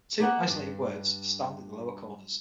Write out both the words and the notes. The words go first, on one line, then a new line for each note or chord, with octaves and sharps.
Two isolated words stand in the lower corners.
A#3 B3 F#5
G2